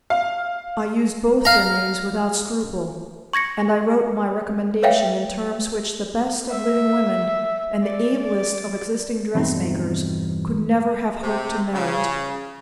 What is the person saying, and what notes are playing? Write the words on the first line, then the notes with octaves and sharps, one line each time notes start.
I used both their names without scruple; and I wrote my recommendation in terms which the best of living women and the ablest of existing dressmakers could never have hoped to merit.
F5
F5 A#5
C#6 G#6 A#6 C#7
B4 C#5 E5 F5 G5
E5
D5
D5
E2 G2 B2 C4 D#4
C3
C#3